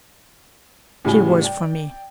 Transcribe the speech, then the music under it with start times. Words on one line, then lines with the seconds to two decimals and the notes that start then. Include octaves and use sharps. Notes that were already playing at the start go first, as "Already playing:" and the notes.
She was for me.
1.05 A2 C#3 G3 F#4 G#5 G7
1.41 D5 G5